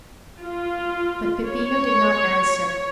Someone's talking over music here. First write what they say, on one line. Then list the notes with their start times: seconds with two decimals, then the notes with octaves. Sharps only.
But Peppino did not answer.
0.40 F4
1.46 C#5